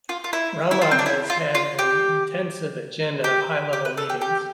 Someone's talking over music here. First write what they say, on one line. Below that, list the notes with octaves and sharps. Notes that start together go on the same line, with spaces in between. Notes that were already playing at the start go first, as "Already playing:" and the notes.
Rama has had an intensive agenda of high level meetings.
F4
F4
E4
E4
F4
C4
D4
E4
F4
F4
G4
G4
G4
B4
A4
G4
G4